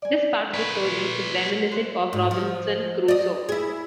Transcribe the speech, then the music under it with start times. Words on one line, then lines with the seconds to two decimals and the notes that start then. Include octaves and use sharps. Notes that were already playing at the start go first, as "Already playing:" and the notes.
This part of the story is reminiscent of Robinson Crusoe.
0.02 D5 G#5
0.54 A#4 B4 C#5
1.71 F#4 C5
2.13 G#2
2.31 F3
3.08 D5 D#5
3.49 E4 G#4